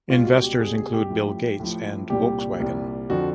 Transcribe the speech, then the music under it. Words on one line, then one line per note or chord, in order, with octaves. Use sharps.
Investors include Bill Gates and Volkswagen.
C#2 B2 G3 F4
F#4
G4
C#2 B2 G3 G#4
G#4
G4
A2 F3
A2 F3
C2 A#2 G3 G4
C2 A#2 G3
F2 D3 F3 F#4